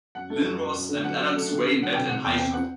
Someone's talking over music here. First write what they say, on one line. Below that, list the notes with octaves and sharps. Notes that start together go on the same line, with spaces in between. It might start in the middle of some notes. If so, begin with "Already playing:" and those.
Linnros and Adams-Ray met in High School.
F#2 F#5
A3
F#2
F#2
F#2
D3
F#3 F#5
F#3
A3
D3
D3
F#3 F#5
C3 G5
C3 F#5
E2 G5
C4 G5
C4 F#5